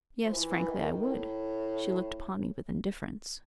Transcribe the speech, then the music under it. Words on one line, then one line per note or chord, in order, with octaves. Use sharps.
Yes, frankly, I would. She looked upon me with indifference.
F3
E3
E3
D#3
D#3
A2